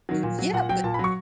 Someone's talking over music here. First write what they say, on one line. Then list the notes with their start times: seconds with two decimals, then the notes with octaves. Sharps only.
Yeah, but
0.09 D#3 F#3
0.23 A#2
0.39 F#3
0.53 A#2 F#5
0.69 F#3 G5
0.84 A#2 A5
0.94 B5
0.99 F#3 C#6